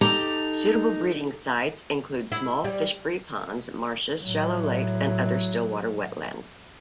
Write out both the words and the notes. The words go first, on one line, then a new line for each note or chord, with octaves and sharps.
Suitable breeding sites include small fish-free ponds, marshes, shallow lakes and other still-water wetlands.
D#4 G4 A4 A#5
E4
G3
A2 F#3